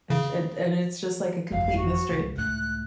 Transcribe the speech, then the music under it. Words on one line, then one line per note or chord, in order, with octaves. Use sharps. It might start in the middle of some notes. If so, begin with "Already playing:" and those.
and and and it's just, like, a complete mystery,
C#3
G1 F2 F5
F#4
C#2
C#2 A2 F#6